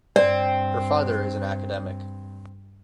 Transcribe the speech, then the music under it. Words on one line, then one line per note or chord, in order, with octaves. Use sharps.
Her father is an academic.
G2 C4 D5